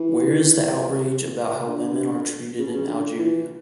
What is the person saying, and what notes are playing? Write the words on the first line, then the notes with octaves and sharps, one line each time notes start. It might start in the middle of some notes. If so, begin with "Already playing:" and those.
Where is the outrage about how women are treated in Algeria?
Already playing: E3
D3
C#3
B2
C#3
D3
E3